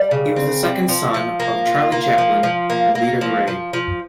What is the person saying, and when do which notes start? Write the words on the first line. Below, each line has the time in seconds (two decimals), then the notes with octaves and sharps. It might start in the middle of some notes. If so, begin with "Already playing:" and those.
He was the second son of Charlie Chaplin and Lita Grey.
Already playing: G3
0.11 C#3
0.36 C4
0.63 G3
0.88 F3
1.14 F3
1.40 A#3
1.66 F4
1.92 A#3
2.18 F3
2.43 F3
2.70 A#3
2.95 A#3
3.21 F3
3.47 F3
3.73 F3